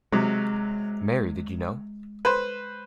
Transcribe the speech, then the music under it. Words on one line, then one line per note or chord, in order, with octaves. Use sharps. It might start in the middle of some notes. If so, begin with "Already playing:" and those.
Mary, Did You Know?
C3 F#3 G#3
B4 C5